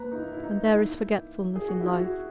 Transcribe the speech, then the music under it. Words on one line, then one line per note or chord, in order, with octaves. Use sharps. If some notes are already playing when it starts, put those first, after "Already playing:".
And there is forgetfulness in life.
Already playing: A#3 B4 A#5
D#4
E4
E4
D#4
E4
G#4
F#4
E4
F#4